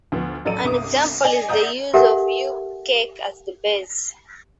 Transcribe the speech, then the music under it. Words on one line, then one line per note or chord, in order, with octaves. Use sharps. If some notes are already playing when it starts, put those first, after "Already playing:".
An example is the use of ube cake as the base.
D2 F3 B3
A1 F#3 A4 D5 D#7
G1 C2 D6 D#6
D5 D#5 G#5
D5 E5 F#5 A#5 D#6 G6
G4 A4 A#4 E5 F#5 G#5